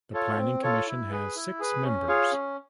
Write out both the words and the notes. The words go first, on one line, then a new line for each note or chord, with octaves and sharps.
The Planning Commission has six members.
F4 A4 C#5
C4
F4 A4 C#5
E4
G#4 B4
E4
G#4 B4
C#4
F4 G#4 C#5 F5
C#4